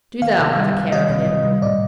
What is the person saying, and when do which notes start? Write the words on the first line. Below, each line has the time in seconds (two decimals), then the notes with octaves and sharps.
Do Thou have a care of him.
0.22 D#3 F5
0.40 C3
0.56 G3
0.75 D#3
0.92 G3 D#5
1.10 C3
1.27 C3
1.45 G3
1.62 A2 D5